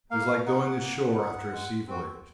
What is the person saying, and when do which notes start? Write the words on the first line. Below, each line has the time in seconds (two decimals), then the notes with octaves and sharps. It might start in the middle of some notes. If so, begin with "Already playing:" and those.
It is like going ashore after a sea voyage.
0.11 A#3 F5
0.46 D#4 G#4 F#5
0.82 A#3
1.17 D#4 G#4
1.52 G#3
1.88 C4 F#4